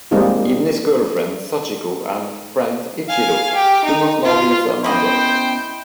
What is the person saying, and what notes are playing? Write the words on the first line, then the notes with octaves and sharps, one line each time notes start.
Even his girlfriend Sachiko and friend Ichiro do not know he is an android.
G3 G#3 A#3 C4 D#4 F4
F5 G#5
G4
D#4
F4
B3 C#4 E4 C5 D#5 G5